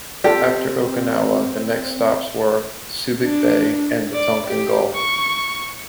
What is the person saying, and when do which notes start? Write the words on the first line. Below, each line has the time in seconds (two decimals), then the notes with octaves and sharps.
After Okinawa the next stops were, Subic Bay and the Tonkin Gulf.
0.24 C4 F4 G4 A4 D5
3.22 D4
4.13 D5
4.46 G4
4.95 C#6